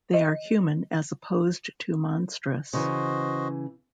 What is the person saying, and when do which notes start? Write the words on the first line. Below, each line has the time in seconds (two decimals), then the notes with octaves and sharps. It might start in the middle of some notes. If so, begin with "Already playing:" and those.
They are human as opposed to monstrous.
0.14 D#5
2.73 C#3 E3 F#4 C5 D#5